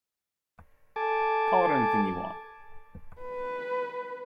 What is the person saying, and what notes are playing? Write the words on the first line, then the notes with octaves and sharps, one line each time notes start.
Call it anything you want.
A4 G#5 A5 D6
B4